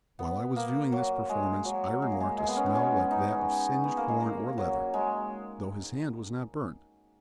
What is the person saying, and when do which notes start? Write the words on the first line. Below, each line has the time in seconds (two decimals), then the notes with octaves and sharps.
While I was viewing this performance, I remarked a smell like that of singed horn or leather, though his hand was not burnt.
0.19 B3
0.56 A#3
0.92 F#3
1.29 G#3
1.65 F#3
2.02 G#3
2.12 A#3
2.21 G#3
2.38 G#3
2.48 B3
2.57 C#4
2.66 B3
2.75 C#4
3.11 D#4
3.84 B3
3.97 A#3
4.08 G#3
4.20 A#3
4.58 F#3
4.94 G#3